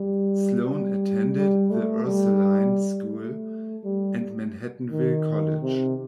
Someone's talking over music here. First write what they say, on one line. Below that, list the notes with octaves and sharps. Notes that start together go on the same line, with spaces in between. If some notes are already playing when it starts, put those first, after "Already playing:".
Sloan attended The Ursuline School and Manhattanville College.
Already playing: G3
G3
G3
A3
G3
A3
G3
D#3
C3